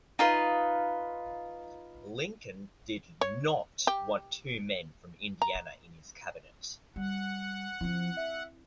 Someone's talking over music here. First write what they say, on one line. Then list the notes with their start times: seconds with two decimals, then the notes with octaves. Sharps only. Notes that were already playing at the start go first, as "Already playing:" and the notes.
Lincoln did not want two men from Indiana in his cabinet.
0.19 D#4 F4 B4
3.21 C#5
3.87 G4
5.42 A#5
6.96 G3 F#5
7.81 F3 C4 E4
8.17 E5